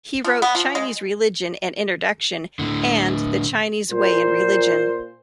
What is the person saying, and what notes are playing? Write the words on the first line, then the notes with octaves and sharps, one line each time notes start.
He wrote "Chinese Religion: An Introduction" and "The Chinese Way in Religion".
F3
B3
F3
G#3
A2 D3
A#2 C5